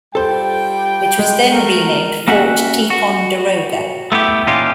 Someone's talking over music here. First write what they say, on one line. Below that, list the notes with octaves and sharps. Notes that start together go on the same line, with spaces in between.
It was then renamed Fort Ticonderoga.
G3 F4 A4 C5 G5
G#3
A3 A4 A#4
A#3 C#4 F#4 E5 F#5
F#4
A3 B3 E4 G4
A#2 E3 C#4 D#4 F4 G4